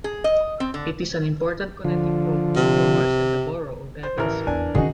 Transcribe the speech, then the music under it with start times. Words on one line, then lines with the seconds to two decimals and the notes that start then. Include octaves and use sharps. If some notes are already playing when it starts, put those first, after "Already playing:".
It is an important connecting road for Mars and the borough of Evans City.
0.04 G#4
0.24 D#5
0.60 C4
0.74 D3
1.85 D3 F3
2.56 C3
4.03 C5
4.18 A1 E3 A#4
4.47 E2 D4 G#5
4.75 D#3 C#4 D#4 F#4 G#4